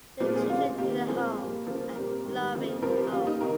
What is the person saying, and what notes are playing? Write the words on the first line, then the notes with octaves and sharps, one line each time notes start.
The children need a home, a loving home.
A#2 F3 G#3 C4
G#4
C#3 G#3 C4 F4
C3 D#3 A#3 G4
A#2 F3 G#3 C4 G#4
G2 G3 A#3
C#3 F3 A#3
A#2 G3 C4 A#4
G#2 D#3 G3
F2 C#3 F3 A#3
G2 F3 C4 A#4
G4
C#3 G3 A#3 F4
D#4
C3 D#3 A#4